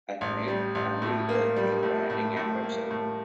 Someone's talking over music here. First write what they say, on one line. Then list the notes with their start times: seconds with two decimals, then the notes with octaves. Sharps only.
Atmail unveil their new branding and website.
0.21 A1
0.48 G3
0.75 A1
1.02 A2
1.29 A#3
1.56 G3
1.83 A2
2.10 A2
2.37 A2
2.63 A#3
2.91 A2